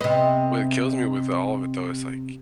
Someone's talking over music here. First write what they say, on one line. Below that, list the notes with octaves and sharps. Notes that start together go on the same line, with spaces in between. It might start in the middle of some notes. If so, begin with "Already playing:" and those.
What kills me with all of it, though, is like,
C3 B3 D#5